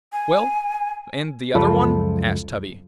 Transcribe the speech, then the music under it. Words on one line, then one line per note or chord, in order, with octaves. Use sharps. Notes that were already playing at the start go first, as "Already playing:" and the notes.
'Well, and the other one?' asked Tubby.
G#5
C#2 F#2 F3 F4 A4 B5